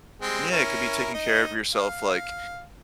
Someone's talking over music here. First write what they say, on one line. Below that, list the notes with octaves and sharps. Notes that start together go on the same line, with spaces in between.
Yeah, it could be taking care of yourself like,
G3 G#3 C4
C#4 E4 A#4
D#4 D#5
F5